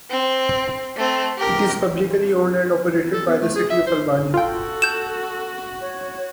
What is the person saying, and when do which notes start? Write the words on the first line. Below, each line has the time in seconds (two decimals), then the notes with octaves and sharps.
It is publicly owned and operated by the City of Albany.
0.10 C4
0.96 A3 C4
1.38 G4 A#4
3.13 A4
3.27 B3
3.42 A3
3.56 G#4
3.70 E5
3.87 C5
4.34 F4 F#4 A4 G5
4.82 G6 E7
5.81 C#5